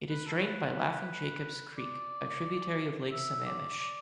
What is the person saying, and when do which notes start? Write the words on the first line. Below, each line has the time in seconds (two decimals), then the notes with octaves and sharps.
It is drained by Laughing Jacobs Creek, a tributary of Lake Sammamish.
0.09 B4
0.27 A4
0.37 C#5
0.43 B4
1.77 D5
3.11 E5
3.44 D5
3.78 D5